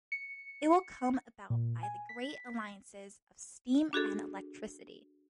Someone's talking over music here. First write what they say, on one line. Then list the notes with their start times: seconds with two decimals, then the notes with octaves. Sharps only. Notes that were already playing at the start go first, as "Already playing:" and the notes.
It will come about by the great alliances of steam and electricity.
0.12 C#7
1.50 A#2
1.83 G#5
2.09 B6
3.93 D4 F#4 G#4 A4